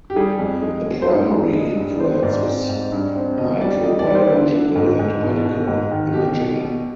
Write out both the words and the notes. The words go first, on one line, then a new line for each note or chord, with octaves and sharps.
A primary influence is microbiological and medical imaging.
G4
G3 G#4
F2
G#3
B2
C5
G2 B4
G2
G#3
G2
D5
B3 C5
C5
G#2 D5
C4
G#2
G2
C4
B2 D#5
G3 D5
G3 D#5
D5
G3
C5
D3
D3
G#2
G#2
B2
B2
G#2
D#3
B2 G4
B2
B2